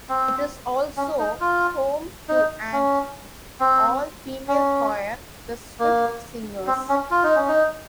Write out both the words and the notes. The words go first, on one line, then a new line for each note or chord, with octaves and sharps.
It is also home to an all-female choir, The Swift Singers.
C4
C#4
D#4
F4
D#4
C#4
C4
C#4
A#3
C4
C#4
F4
D#4
C#4
D#4